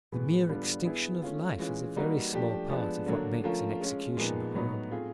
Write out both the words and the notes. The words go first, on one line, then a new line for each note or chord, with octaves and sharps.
The mere extinction of life is a very small part of what makes an execution horrible.
A2 E3 G#3 B3
D3 G3 B3 D4 F4
B3 E4 G#4
A3 C#4 F4
E3 G#3 C#4 F4
G3 A#3 D#4 F#4 B4
F3 A3 D4 G4
F3 G#3 B3 D4
D3 F#3 A#3 D4
F3 A3 C#4 F4 A#4
G#3 C#4 F4
A#2 F3 G#3 B3 D#4
A2 F#3 B3 D#4
A3 C4 F4 G#4